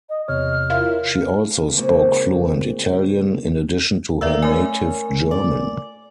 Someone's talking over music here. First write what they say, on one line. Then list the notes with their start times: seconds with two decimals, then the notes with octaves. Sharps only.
She also spoke fluent Italian in addition to her native German.
0.09 D#5
0.28 E2 C3 C#5 D#5 F6
0.70 E4 F4 A#4
1.77 A#2 C#3 G#3 C4
4.21 A#3 D5 E5 E6
4.42 A3 C#4 A#4 G#5
5.31 D5